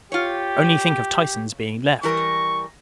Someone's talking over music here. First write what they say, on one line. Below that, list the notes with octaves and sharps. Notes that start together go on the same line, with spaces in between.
Only think of Tyson's being left!
F4 G4 C#5
E3 G3 A#4 C#6